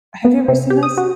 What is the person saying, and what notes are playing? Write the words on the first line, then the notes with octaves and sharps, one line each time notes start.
Have you ever seen those?
B3
C3
G4
D#6
F#4